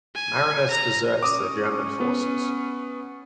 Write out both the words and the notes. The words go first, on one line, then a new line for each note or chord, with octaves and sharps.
Marinus deserts the German forces.
G#5
A#5
C#4 D6 D#6
B3